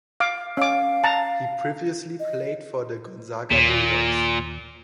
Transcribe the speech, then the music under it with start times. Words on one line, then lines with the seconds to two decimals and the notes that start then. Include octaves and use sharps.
He previously played for the Gonzaga Bulldogs.
0.20 F5 D6
0.57 C#4 F5 D6
1.04 A5 A#5
2.20 D#5
3.51 D#2 A#2